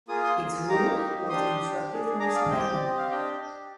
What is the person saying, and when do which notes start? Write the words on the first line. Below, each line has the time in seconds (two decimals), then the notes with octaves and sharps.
Its roof was constructed from savanna.
0.08 A#3 F4 G#4 D#6
0.23 C6 D#6
0.38 A#3 F4 G#4
0.69 A#3 D#4 G4 A#5 D6
0.99 A#3 D#4 G4
1.29 D4 G4 C6 D#6
1.60 D4 G4
1.90 D4 G#4
2.19 D4 G#4 A#5 D6
2.35 D5 F5
2.50 C4 G4 D#5 G5
2.72 D5
2.80 C4 G4 D#5
2.98 F5
3.10 D4 G4 D#5 G5
3.41 D4 G4